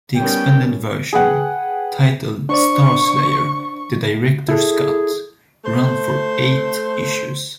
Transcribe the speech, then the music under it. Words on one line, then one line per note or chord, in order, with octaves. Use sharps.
The expanded version, titled "Starslayer: The Director's Cut", ran for eight issues.
D#3 G3 B3 C#4 G5
G#4 B4 F#5 G5
D4 C5 D5 C#6
E4 G#4 A4
A3 C5